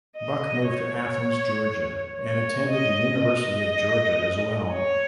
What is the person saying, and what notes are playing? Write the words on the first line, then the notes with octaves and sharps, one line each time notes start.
Buck moved to Athens, Georgia, and attended the University of Georgia as well.
D#5
C#5
C#5
D#5
D#5
C#5